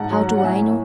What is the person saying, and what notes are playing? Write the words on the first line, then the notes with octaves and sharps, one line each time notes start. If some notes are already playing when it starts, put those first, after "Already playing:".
How do I know?
Already playing: G#2 F#5 A5
F#3
F#3
F#5
A2 E5 G#5
A2